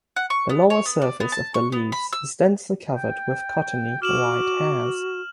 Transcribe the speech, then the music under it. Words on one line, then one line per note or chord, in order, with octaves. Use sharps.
The lower surface of the leaves is densely covered with cottony white hairs.
F#5
C#6
B3
C#5
B3
D5
B3
A5
C#6
B3
B5
E6
G5
F#4 D6 F6 E7 F#7